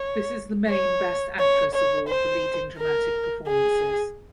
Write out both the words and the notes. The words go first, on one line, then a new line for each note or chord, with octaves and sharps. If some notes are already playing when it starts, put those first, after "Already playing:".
This is the main best actress award for leading dramatic performances.
Already playing: C#5
C#5
C#5
C#5
C5
A#4
G#4